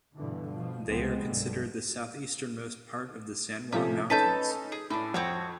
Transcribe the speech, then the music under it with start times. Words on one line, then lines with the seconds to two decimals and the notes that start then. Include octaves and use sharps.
They are considered the southeasternmost part of the San Juan Mountains.
0.17 G2 B2 D3 E3
0.52 B2 F3
0.86 C#2 F3 G#3 B3 C4
1.24 B1 G2 D3
3.72 C3 F3 A3 C#4
4.10 C#4 D#4 A4 B4 A5 G6
4.72 G#4
4.90 A2 C#4 D4
5.14 F2 C4 F#4 C#5